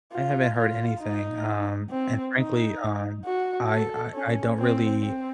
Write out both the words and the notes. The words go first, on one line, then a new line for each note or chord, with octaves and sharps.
I haven't heard anything, um, and frankly, um, I I I don't really
F4
F4
D#4
C4
D#4
F#4
A4
C#4
C4
C4